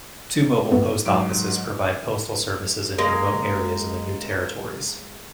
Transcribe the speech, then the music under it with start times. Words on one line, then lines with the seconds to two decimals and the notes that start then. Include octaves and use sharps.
Two mobile post offices provide postal services in remote areas in the New Territories.
0.72 G2 A3 B3
1.06 G#2 F#3 D7
2.98 G#3 A#3